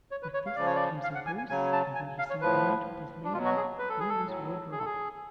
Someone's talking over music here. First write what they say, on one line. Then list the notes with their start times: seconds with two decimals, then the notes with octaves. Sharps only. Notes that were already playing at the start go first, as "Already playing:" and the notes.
With this came Sir Breuse, and when he saw a knight with his lady he was wood wroth.
0.11 C#5
0.23 B4
0.34 C#5
0.46 F5
0.56 C#3 F3 D5
0.66 C#5
0.76 D5
1.03 F5
1.15 F#5
1.26 G#5
1.38 G#5
1.49 C#3 F#3 G#5
1.72 A5
1.95 G#5
2.19 F5
2.30 C#5
2.41 A2 F3 B4
3.24 D4
3.33 B2 F4
3.38 F#3
3.45 F#4
3.57 G#4
3.79 B4
3.89 A4
4.00 G#4
4.09 A4
4.25 A2 F#3
4.72 G#4
4.78 A4
4.85 G#4